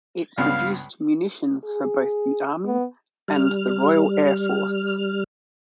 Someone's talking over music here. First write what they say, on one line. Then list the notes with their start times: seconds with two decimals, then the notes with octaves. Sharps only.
It produced munitions for both the Army and the Royal Air Force.
0.38 C#2 G2 B3 F5
1.64 G#4
2.66 B3
3.28 G3 F6